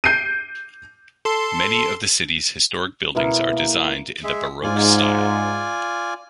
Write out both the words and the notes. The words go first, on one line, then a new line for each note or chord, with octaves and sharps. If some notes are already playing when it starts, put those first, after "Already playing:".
Many of the city's historic buildings are designed in the Baroque style.
G6 C7 D7 D#7
A4 C6
B2 E4 A#4
A#3
G#3 G#4 E5
G#2 F4 D5 G#5